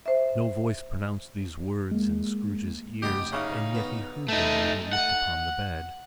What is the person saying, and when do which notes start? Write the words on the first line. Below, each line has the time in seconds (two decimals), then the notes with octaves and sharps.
No voice pronounced these words in Scrooge's ears, and yet he heard them when he looked upon the bed.
0.06 C5 E5
1.91 G#3 A#3
3.03 F1 G4 D#5 F#5 G5 B5 A6
3.32 C#3 D#4 E5 C#6 F6
3.75 B3
4.28 A3 D#4
4.93 F#5